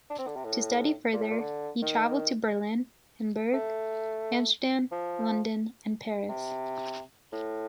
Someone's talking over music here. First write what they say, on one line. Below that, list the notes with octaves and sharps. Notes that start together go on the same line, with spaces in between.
To study further he travelled to Berlin, Hamburg, Amsterdam, London and Paris.
D4
C4
D3
C3
A2
A#2
A2
A#2
D3
D#3
A3
F3
C3
A2